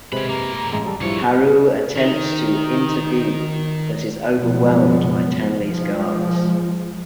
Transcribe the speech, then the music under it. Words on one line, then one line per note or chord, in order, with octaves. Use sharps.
Haru attempts to intervene but is overwhelmed by Tanley's guards.
C3 G#3 C#4 B4 C5 B5
F#2 A#3 A#5
A1 G#3 D#5
G3 A4
D2 G2 F3 E4 C#5
D#3 D#4
F#1 B2 F3 G#3 B3
F3 G#3